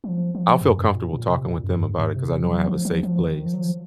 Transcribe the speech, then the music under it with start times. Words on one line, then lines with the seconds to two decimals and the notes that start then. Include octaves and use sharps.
I'll feel comfortable talking with them about it 'cause I know I have a safe place.
0.04 F#3
0.09 F3
0.35 F3
0.61 F#2
0.78 F#2
0.95 A#2
1.13 A#2
1.30 C3
1.47 A#2
1.64 F#2
1.82 G#2
1.99 G#2
2.16 C3
2.42 F#3
2.68 F3
2.85 F3
3.03 F3
3.20 D#3
3.46 F3
3.54 F#3
3.61 F3